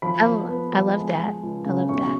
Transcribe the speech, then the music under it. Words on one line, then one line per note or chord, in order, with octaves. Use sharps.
I l I love that, I love that.
F3 B5
F3
B3
F3
G#3
G#3
C#2
C#3
B1 C#6